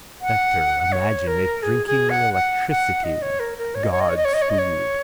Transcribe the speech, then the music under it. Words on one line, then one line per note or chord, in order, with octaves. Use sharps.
Nectar imagine it drinking electricity: gods' food.
F#5
C#5
A#4
G#4
G#4
F#5
F#5
F#5
D#5
C#5
A#4
A#4
C#5
D#5
C#5
D#5
C#5
D#5
C#5
D#5
C#5
D#5
C#5